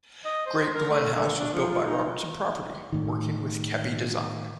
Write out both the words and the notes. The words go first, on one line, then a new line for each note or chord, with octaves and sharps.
Great Glen House was built by Robertson Property, working with Keppie Design.
D#5
C5
A#4
A3
D3
D4
F3
F4
D#4
A2 D#3